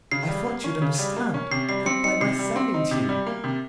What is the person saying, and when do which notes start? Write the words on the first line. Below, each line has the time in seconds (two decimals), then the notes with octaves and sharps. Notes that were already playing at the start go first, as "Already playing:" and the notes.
I thought you'd understand that by my sending to you.
0.11 C#3 C7
0.28 G3
0.47 A#3
0.64 C#4
0.82 C#3
0.99 G3
1.17 A#3
1.34 C#4
1.51 C3 C7
1.69 G3 C7
1.86 C4 C#7
2.04 D#4 C#7
2.21 C3 C7
2.39 G3
2.56 C4
2.74 D#4
2.91 C3
3.09 G3
3.27 A#3
3.44 C3